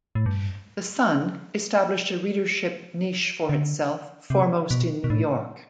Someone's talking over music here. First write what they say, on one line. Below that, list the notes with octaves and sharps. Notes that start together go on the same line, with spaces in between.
"The Sun" established a readership niche for itself foremost in New York.
A2
G2
D3
C3
B2
B2
A2